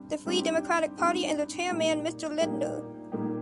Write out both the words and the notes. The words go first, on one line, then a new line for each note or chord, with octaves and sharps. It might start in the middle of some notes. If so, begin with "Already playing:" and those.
The free democratic party and their chairman Mr. Lindner.
Already playing: G2 G3 C4
G2 G3 C4 D#4 G4
G2 G3 C4 D#4 G4
A#2 G3 A#3 D#4 G4
A#2 G3 A#3 D#4 G4
A#2 G3 A#3 D#4 G4